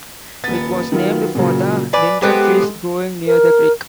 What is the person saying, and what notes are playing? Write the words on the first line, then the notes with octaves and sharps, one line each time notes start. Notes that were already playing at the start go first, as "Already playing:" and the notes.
It was named for the linden trees growing near the creek.
D#1 B3 A6
D#3 F#3 F4
A#2 C#3 F#3
B4 D5 G#5
G#3 B3 C4 G4 A4
A#4